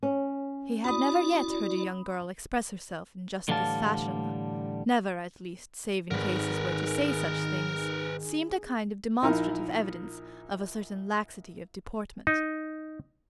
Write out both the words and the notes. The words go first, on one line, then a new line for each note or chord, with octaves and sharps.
He had never yet heard a young girl express herself in just this fashion; never, at least, save in cases where to say such things seemed a kind of demonstrative evidence of a certain laxity of deportment.
C#4
E4 F#4 D5 B5 D#6
A2 D3 E3 G3 F5 A5
G#1 D#3 G#4 A#4 B4
A#1 D#4 E4 A#4
D#4